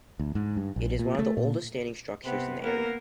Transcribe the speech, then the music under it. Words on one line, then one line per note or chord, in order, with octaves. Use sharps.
It is one of the oldest standing structures in the area.
D2
G#2
G2
A#1
A#2
A3
A#2
C3 B3 C4
A#3 B3 A#4